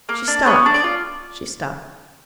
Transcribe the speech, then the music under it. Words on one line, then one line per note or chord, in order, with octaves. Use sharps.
She stopped, she stopped.
A#3
D4
B3 C#5
D4
D5
F4